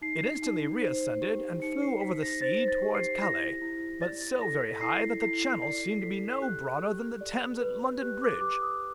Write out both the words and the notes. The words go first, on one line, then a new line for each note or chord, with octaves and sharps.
It instantly reascended and flew over the sea towards Calais, but so very high that the Channel seemed to be no broader than the Thames at London Bridge.
D#4 C7
D#4
C5
G4
D#4 C#7
C7
D#4 B6
A#6
C5 A6
A6
G4
C7
E4 A#6
E4
D5 A6
A6
A4 A#6
B6
E4 C7
E4 C7
D5 C7
A4 B6
G4 F#6
G4
D5
B4
G4 F#6
D6
G4 D6
D#6